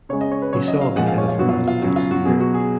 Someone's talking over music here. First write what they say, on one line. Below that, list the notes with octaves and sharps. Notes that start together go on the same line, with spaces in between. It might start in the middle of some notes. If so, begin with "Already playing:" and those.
He saw the head of a man pass near.
C#3 G#3 C#5
D#5
C#5
B4
C#3 F#3 C#5
D#5
F5
A#2 F3 G#3 F#5
F5
C#5
F4
B2 F#3 F#4
F4
F4
C#3 F#3 F#4
F4
F#4
B2 F#3 G#4
F#4
G#4